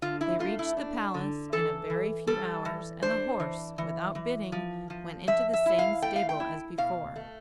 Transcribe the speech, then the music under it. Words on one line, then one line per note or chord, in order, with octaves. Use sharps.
They reached the palace in a very few hours, and the horse, without bidding, went into the same stable as before.
D3 F4
E4
A3 F4
E4
D4
D3
E3 A4
E3
G3 A4
E3
D4 C5
E3
E3
E3
F3
F3
F3 E5
E5
E4
F5
A3 G5
F5
G5
E4
B2 F5
A3